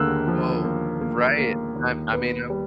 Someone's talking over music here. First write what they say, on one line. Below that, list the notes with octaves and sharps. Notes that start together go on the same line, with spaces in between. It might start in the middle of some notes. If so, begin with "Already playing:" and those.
Woah! Right. I I mean, I'm
Already playing: D#2 D3 A#3 E6 F#6
F3
A#3
A#3
A#3
D#2
B3
G3